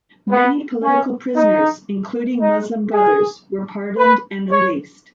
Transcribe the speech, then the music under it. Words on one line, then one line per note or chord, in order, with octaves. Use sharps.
Many political prisoners, including Muslim Brothers, were pardoned and released.
B3
C#4
D#4
D#4
G#4
B4
C#5